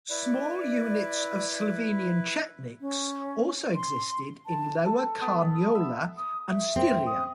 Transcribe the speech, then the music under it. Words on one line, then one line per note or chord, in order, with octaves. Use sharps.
Small units of Slovenian Chetniks also existed in Lower Carniola and Styria.
E4 B4 D5
C#4
C6
A5
A4
B3
E5
D#6
E5
C4
D#6